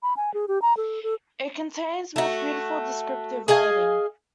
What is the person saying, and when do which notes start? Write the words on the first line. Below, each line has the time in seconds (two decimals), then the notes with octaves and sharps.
It contains much beautiful descriptive writing.
0.03 B5
0.17 G#5
0.34 G#4
0.48 G4
0.62 A#5
0.77 A4
1.03 A4
2.16 A3 F#4
3.48 G#4 D#5 F5 G#5